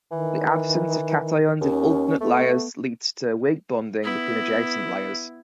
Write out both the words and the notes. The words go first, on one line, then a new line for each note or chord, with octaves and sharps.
The absence of cations in alternate layers leads to weak bonding between adjacent layers.
D#3 E3
D#2 C#4
A3 B3
B3 E4